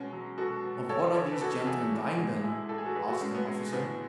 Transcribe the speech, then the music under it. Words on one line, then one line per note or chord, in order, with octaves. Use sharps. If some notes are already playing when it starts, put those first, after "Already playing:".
"Of what are these gentlemen dying, then?" asked an officer.
Already playing: B2 G#3 C#4
F#3
B2 F#4 A4
B2
E2 A4 C#5
E2 A4 C#5
B4
E2 F#4 A4
E2 E4 G#4
A2
G#3
G#3 E4 G#4
A2 A4
G#4
F#4 A4
A2 G#4 B4
F#4 A4
G#3 C#4
B3
G#3
A2 B3